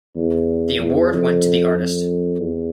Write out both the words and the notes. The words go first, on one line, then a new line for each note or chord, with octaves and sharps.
The award went to the artist.
E2
E2
F2
F2
E2